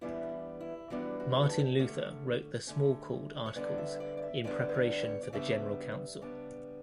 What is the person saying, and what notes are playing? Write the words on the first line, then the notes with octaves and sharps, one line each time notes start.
Martin Luther wrote the Smalcald Articles in preparation for the general council.
E3 G3 B3 D4 E4
E4
E3 G3 B3 D4 F#4
F#4
A4
G4
D3 A3 C#4 C#5
D3 A3 C#4
C#5
D3 G3 B3 D4 D5
E5
D5
D5
E5
D3 G3 B3 D4 D5
B4
C#5
C#5
D5
C#3 G3 B3 D4 E5
C#3 G3 B3 D4